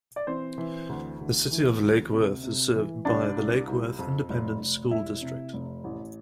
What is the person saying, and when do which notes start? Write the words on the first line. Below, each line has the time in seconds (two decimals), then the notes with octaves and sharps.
The city of Lake Worth is served by the Lake Worth Independent School District.
0.16 D5
0.27 E3 C4 C5
0.58 E3
0.89 D2
1.20 D2
1.51 E3
1.82 D2
2.13 C3
2.44 C3
2.75 E3
3.05 C2 D4 D5
3.37 C2
3.68 C2
3.99 F2
4.29 F1
4.60 F1
4.91 F1 E4 E5
5.22 C3
5.53 F1
5.84 A1